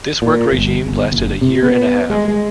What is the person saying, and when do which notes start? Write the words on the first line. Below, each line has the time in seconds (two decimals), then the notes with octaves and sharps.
This work regime lasted a year and a half.
0.22 A#2
0.53 G1
0.87 G1
1.12 F#1
1.41 C3
1.63 B3
2.10 G#3
2.28 G#3